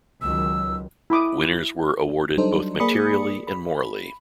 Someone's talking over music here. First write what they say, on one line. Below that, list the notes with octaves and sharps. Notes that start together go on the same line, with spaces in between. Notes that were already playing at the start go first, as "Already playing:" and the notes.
Winners were awarded both materially and morally.
C#2 D#3 F#3 E6
E4 B5 D6 D#6
F#3 G3 D4 D#4 A4 C5
A#3 G#4 D5 B5 D#6 C#7
B5